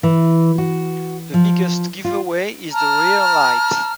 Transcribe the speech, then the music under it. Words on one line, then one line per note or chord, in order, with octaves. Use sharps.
The biggest giveaway is the rear light.
E3
F#4
F3
F4
A5 A#5 F6